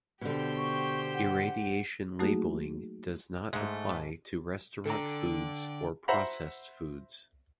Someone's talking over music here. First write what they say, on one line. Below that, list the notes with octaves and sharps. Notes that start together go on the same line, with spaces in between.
Irradiation labeling does not apply to restaurant foods or processed foods.
B2 D3 G4 C5 G5
C#6
F#5
F#3 A3 A#3 D#4 F#4 G#4
G#2 G#3 A3
D3 A4 D5 G5 A#5
C5 E5 F#5 A#5 B5